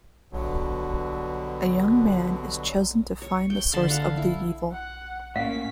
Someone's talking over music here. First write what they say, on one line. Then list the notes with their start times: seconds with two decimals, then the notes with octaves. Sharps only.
A young man is chosen to find the source of the evil.
0.32 G2 B2 D3 F#3
3.22 C#5
3.50 G5
3.73 D3 A5 B5 C6
3.90 F5 F#5
4.17 E4
4.72 F#5
5.36 A2 A#3 C#4 F5 F#5 B6